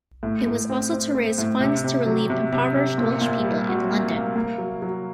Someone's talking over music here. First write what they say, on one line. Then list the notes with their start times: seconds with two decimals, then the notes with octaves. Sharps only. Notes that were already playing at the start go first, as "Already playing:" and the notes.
It was also to raise funds to relieve impoverished Welsh people in London.
0.23 A2
0.46 A2
0.70 C4
0.92 C4
1.15 C4
1.38 A2
1.60 C3
1.84 C3
2.06 F#3
2.30 C3
2.53 C3
2.76 C3
2.98 A#2
3.21 A#2
3.44 G3
3.68 F#4
3.90 A#3
4.12 A#3
4.36 A#3
4.58 F#3
4.82 F#3